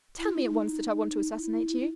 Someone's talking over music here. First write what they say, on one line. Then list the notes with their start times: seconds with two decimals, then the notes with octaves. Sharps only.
"Tell me at once that I want to assassinate you?"
0.19 E4
0.29 F4
0.39 E4
0.48 D#4
1.38 E4
1.67 E4
1.77 E4